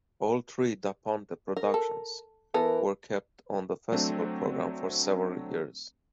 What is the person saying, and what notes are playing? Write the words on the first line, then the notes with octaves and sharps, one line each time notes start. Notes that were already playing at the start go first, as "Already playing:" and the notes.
All three Da Ponte productions were kept on the festival program for several years.
A#4
A4
E3 B3 A4 A#4
F#3 A3 C4 D4